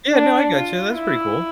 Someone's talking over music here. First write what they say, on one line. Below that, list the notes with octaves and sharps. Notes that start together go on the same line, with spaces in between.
Yeah, no, I gotcha, that's pretty cool.
D4
F4
E4